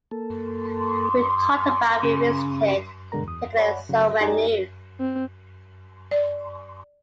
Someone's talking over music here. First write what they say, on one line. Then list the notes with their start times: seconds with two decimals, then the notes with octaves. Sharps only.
We talked about revisiting it, taking it somewhere new.
0.11 A#3 A4
2.03 C#3
3.12 G2 B2 D3 G#3 A#4 A#5
3.24 E2 D#6
3.57 C#5 D5 F#5 B5
3.89 C#3 F#3
4.21 D#4 G4 D5 D#5 G#5 A#5
5.00 C4
6.11 D5